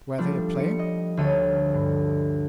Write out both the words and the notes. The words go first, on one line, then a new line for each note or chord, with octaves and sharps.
"Where they are playing?"
F3 G3 A3 D4
C#7
D#5
D2 A4 C#5 D#7
G2